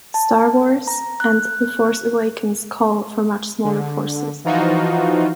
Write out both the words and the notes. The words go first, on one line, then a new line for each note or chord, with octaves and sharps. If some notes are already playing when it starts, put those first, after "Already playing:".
"Star Wars" and "The Force Awakens" call for much smaller forces.
A5
A#5
F#6
D3
E3 F3 D#4 F4 F#4